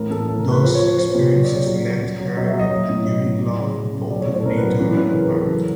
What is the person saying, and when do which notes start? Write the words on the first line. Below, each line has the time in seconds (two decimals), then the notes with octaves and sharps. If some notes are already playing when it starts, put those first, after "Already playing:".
Those experiences left her with an enduring love both of nature and of art.
Already playing: A2 E3 A#4
0.10 A2 A4
0.28 A2
0.39 A#4
0.46 A2
0.51 B4
0.62 F3 C5
0.75 F3 C#5
0.87 C5
0.97 F3 C5
1.09 B4
1.15 A#2
1.32 F#3 C#5
1.43 D5
1.50 C#3 C#5
1.66 F#3
1.85 F#3
2.02 F#3
2.20 F#3
2.37 F#3 D#5
2.48 E5
2.53 F#3
2.59 D#5
2.71 F#3
2.89 A2
3.06 F#3 D#5
3.24 A2
3.41 F#3
3.58 C#3
3.76 F#3
3.93 C#3
4.10 F#3 D5
4.22 C#5
4.28 A2 C5
4.40 A4
4.46 A2 A#4
4.57 B4
4.62 F#3
4.68 B4
4.79 E3 B4
4.97 E3 B4
5.14 C#3 A#4
5.23 B4
5.32 E3 A#4
5.41 A4
5.50 F#3 A#4